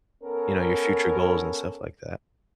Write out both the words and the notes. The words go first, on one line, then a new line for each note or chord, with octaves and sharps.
you know, your future goals and stuff like that.
B3 C#4 A4 A#4